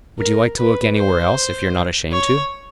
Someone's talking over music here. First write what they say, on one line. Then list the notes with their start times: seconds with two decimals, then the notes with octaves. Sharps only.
"Would you like to look anywhere else if you're not ashamed to?"
0.19 A#4
0.58 B4
0.97 C5
2.12 C#5